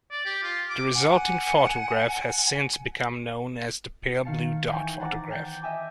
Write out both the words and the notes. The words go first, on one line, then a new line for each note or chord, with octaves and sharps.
The resulting photograph has since become known as the Pale Blue Dot photograph.
D5
G4
F4
D6
F#5 G#5
D#3 F5 A5 C#7
E3 G5 G#5 C#6
C5 F#5 A5 A#5 D6
G5 A5 G6
D#5 E5 G5 G#5 D6